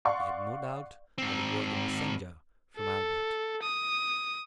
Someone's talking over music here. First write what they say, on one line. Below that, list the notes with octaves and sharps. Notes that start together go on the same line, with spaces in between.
He had no doubt that it was the messenger from Albert.
D5 F5 F#5 C6 C#6
G#2 C4
A4
D#6